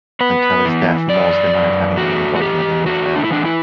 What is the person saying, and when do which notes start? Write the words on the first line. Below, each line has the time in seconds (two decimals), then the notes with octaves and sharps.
Until his death Moores denied having any involvement in the affair.
0.21 B3 B4
0.65 E3
1.09 F#2 D5
1.53 F#2
1.98 A3 F#4
2.36 F#4
2.42 E3 G4
2.86 A3 F#4
3.16 D4
3.24 E4
3.30 E3 D4
3.45 E4